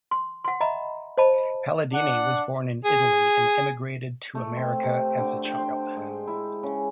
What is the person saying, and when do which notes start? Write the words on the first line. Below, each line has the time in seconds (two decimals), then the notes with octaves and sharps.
Palladini was born in Italy and emigrated to America as a child.
0.11 C6
0.44 F#5 C6
0.61 D#5 E5 A#5 B5
1.18 C5 D#5 A5 B5
1.93 D4 F#5
2.84 G#4
4.35 A3
4.57 C4
4.83 C3
5.18 D3
5.45 G5
5.58 C5
5.97 G#2
6.28 E4
6.63 C#3